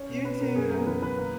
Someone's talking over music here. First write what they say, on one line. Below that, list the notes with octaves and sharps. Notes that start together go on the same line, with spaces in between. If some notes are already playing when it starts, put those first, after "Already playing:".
You too.
Already playing: C#4 C#5
B2
C#4 B4
B2 A#4
F#2 G#4
B3 A#4
E3 B4
E3 B4
A#3